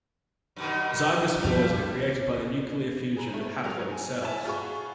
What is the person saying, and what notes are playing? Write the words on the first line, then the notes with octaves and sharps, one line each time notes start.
Zygospores are created by the nuclear fusion of haploid cells.
F#2 B2 D#3
G2 F3 G3 A3
G#4 B4 A#5
A3
F#3 F#4 G4 A#4 F7
G#5
E4 C#5 E5 G#5 A5
F4 F#4 G#4 B5 C#6